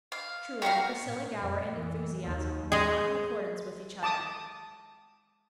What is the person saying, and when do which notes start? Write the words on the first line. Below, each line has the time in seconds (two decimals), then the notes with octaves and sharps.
Truly, Priscilla Gower and enthusiasm were not in accordance with each other.
0.12 F5
0.62 F#4 G4 A#4 F5
1.05 A#2
1.39 F2
1.74 E3
2.23 D#2
2.72 G#3 G#4 D#5
4.03 A5 D6 D#6